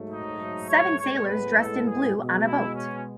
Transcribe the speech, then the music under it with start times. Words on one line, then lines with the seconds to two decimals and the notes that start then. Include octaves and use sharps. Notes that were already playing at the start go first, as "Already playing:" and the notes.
Seven sailors dressed in blue on a boat.
Already playing: G#2 F#3 A3
0.11 D#4
0.69 C#5
0.99 A2 G#3 B3 C#5
1.28 B4
1.58 A4
1.87 G#4
2.16 B2 G#3 B3
2.46 E4
2.76 C#4